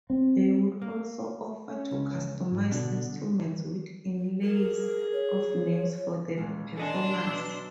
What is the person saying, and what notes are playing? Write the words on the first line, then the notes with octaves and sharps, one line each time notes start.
They would also offer to customize instruments with inlays of names for the performers.
C4
A#3
C#4
C#2
G#2
B2 D3 D4
G#4 A#4
C#5
D#1 G#3 C#4 C7
D4 A4 D#5 G#5 C6
B1 D5 E6